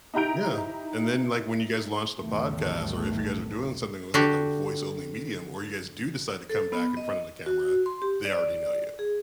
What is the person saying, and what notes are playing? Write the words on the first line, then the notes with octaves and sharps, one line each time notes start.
Yeah, and then, like, when you guys launch a podcast, or if you guys are doing something with, like, a voice-only medium, or you guys do decide to come back in front of the camera, they already know you.
D#4 E4 G4 A#5 G6 D7
B1 E2 A2 D#3 G3 A3
D3 F#4 G4
A4
B3
D#5
F#4
C6
G4
D5
G#4